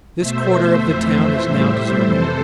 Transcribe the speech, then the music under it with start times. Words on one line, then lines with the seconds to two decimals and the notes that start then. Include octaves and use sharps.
This quarter of the town is now deserted.
0.18 B2 A3 C5 E5
0.80 F2 E3 A3
1.42 A2 G3
2.02 F2 C3 E3 A4 C5